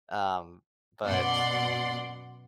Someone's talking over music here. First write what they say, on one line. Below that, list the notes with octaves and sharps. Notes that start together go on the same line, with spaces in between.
um, but,
F#2 B2 D5 F#5 C6